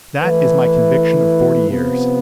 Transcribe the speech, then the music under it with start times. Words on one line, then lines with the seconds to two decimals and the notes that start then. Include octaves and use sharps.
That is my conviction of forty years.
0.22 E3 A3 E4 B4
1.70 C3 F3 B3